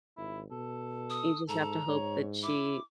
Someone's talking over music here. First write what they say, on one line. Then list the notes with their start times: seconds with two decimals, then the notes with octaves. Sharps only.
you just have to hope that she,
0.17 G#1 E4
0.51 B2 A4
1.10 D#6
1.49 G#2 A4 A#5
1.88 G#2 C#5
2.43 E4 D6